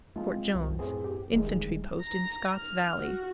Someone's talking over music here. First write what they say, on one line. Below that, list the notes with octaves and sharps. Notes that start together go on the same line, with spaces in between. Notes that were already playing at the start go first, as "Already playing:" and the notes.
Fort Jones.--Infantry post, in Scott's Valley.
G#3 A3 C4 F4
C2 F#2
A2 B3 C4 G#4
G4
D#1 A1 D#3 G3 G#3
A#5
F6
F#4